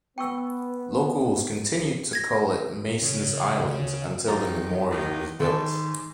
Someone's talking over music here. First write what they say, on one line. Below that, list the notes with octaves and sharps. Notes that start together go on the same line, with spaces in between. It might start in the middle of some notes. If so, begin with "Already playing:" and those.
Locals continued to call it "Mason's Island" until the memorial was built.
B3 G5 C#6 E6
G#6 A#6
C#3 C#4
F#2 D#3 F4 A#5
D#3
G#2 D#3 A4 A5